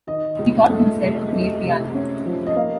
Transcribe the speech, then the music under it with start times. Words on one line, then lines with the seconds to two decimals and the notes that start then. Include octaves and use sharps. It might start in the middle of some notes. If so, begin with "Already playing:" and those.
He taught himself to play piano.
0.07 D#3 D#5
0.39 C#2
0.70 A3
1.00 C3
1.33 A3
1.63 C3
1.94 C#4
2.26 F3
2.46 D#5
2.56 A#3 F5